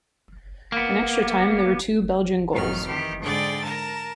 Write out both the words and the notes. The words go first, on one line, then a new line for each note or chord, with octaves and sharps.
In extra time, there were two Belgian goals.
A#3 B3
F2 A2 D#3 F#3 F6
D#3 E3 G4
G#2 D3 G#4 D5 G5 A6
A#4 A5 A#5